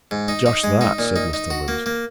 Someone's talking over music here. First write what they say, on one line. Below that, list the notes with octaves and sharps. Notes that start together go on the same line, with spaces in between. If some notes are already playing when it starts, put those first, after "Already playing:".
"Just that," said Mr. Lindsey.
G#2
D#4
D#4
G#3
D#4
A#2
D#4
D#4
F#4
A#3
A#3